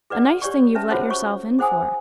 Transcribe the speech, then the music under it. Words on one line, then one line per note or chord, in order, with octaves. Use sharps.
A nice thing you've let yourselves in for!'
G#4 B4 D5 F#5
G4 C#5 D5 C#6
C#4 B4 E5 A5
F4 F#4 G#4 C5 C#5 F#5
C#5 C#6
G#4 C5 F#5 G#5 D#6